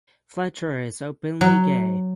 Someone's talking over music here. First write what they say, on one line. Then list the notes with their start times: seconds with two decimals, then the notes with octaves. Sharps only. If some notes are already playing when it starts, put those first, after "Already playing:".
Fletcher is openly gay.
1.41 F#3